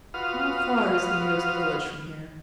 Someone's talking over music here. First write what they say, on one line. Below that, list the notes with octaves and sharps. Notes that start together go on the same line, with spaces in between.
"How far is the nearest village from here?"
F4 F#4 B4 F5 D#6 F6